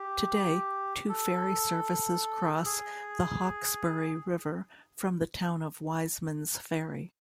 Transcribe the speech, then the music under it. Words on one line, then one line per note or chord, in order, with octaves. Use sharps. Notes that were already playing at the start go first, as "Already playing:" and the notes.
Today, two ferry services cross the Hawkesbury River from the town of Wisemans Ferry.
Already playing: G4
A4
G#4